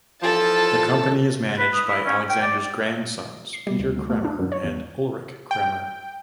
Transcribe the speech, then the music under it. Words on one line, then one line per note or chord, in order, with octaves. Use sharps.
The company is managed by Alexander's grandsons, Peter Kremer, and Ulrich Kremer.
E3 F3 A4 A5
B4
D#6
E4
C#4
G5
D5
C7
G3
D2
D2
A3
D4
F#2
C#5
E2
G5